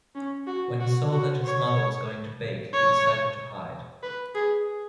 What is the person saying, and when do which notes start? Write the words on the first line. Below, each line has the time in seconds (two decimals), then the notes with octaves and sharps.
When he saw that his mother was going to bake, he decided to hide.
0.15 C#4
0.47 F#4
0.80 F#4
1.12 F#4
1.45 C#5
2.73 C#5
4.03 B4
4.35 G#4